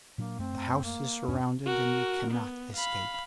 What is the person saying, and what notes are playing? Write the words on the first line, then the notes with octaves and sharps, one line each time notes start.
The house is surrounded, and you cannot escape.
A#2 F#3 A#3 D4
F#2 A3 C4
A#3
E2 G2 C#4 D4
F#4 A#4
B3
F5 B5